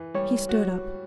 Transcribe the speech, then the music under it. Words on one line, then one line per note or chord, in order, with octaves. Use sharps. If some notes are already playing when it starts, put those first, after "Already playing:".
He stood up.
Already playing: E3
G3 C#5
F#4